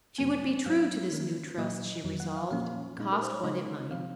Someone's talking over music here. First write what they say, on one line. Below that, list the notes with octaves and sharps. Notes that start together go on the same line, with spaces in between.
She would be true to this new trust, she resolved, cost what it might.
F2 C3 F#3 A#3 G#5
G#2 F#3 C4 F5
D#3 A#3 C#4
A#2 F#3 A#3 D#5
F2 D#3 F#3
F#5
F5
A#2 F3 A#3 C#4 F5
A#2 G#3 D#4
A#4
C5
C#5
C#3 G#3 D#4 D#5
C3 F3 C4 F5